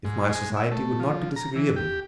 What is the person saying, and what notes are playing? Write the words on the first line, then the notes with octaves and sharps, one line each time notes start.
"If my society would not be disagreeable."
G#2
G#3
E5
A3
F3
A#5
E3
G4